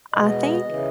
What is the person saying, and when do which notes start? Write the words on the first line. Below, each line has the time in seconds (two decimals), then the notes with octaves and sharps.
I think
0.14 B2 G#3 B3 D#5
0.68 C#3 E3